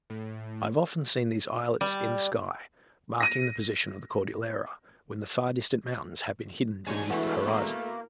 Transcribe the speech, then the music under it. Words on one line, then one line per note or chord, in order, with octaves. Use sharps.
I have often seen these islets in the sky, marking the position of the Cordillera, when the far-distant mountains have been hidden beneath the horizon.
A2
G3
A#6 D#7
E2 G#2 G#3 D4 C#5 G#5
B2 E3 A3 E4 B4 F#5
A#3